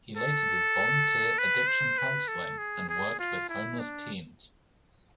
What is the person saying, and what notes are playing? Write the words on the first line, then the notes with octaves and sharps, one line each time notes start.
He later did volunteer addiction counseling and worked with homeless teens.
A4
B4
C5
B4
A4
G#4
G#4
F4
E4
D4